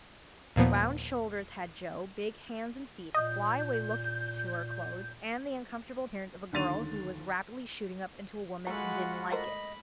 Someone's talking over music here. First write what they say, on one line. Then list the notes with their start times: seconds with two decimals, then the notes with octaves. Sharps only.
Round shoulders had Jo, big hands and feet, a flyaway look to her clothes, and the uncomfortable appearance of a girl who was rapidly shooting up into a woman and didn't like it.
0.56 D#2 A#2 F3 B3
3.15 A#2 D#5 G6
6.53 D#2 D3 C6 A6 D#7 F7
8.67 G#3 A3 F4 F#4 F#5 A#5 B5
9.32 A3 A#4 C5 D#5 B5